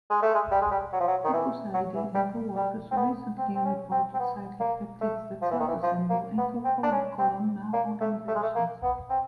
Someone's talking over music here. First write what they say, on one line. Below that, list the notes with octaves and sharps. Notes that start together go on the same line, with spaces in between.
Takuzo Aida and co-workers recently reported cyclic peptides that self-assemble into polar columnar organizations.
G#3
A3
G#3
G3
G#3
G3
F#3
F3
F#3
D#3
E3
F#3
E3
G3
G3
C4
B3
C4
C4
C#4
C4
C4
B3
A#3
A3
F3
E3
D#3
E3
F3
A#3
B3
C4
D4
C#4
C4
A#3
A3
A3
G#3
A3
A#3
B3
C4